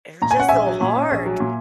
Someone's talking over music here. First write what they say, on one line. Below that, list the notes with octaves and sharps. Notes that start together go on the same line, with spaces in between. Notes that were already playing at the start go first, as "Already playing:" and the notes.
They're just so hard.
A#2 A#5
G#5
C#4 F#5
A#1 E5 G#5
F#3
A#2
C#4
A#1
F#3
A#2